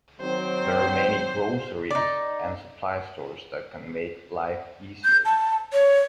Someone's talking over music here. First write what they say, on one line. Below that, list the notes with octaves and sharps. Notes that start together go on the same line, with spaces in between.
There many groceries and supplies stores that can make life easier.
D#3 F#3 C4 C5
D#4 D5
G6
A5
C#5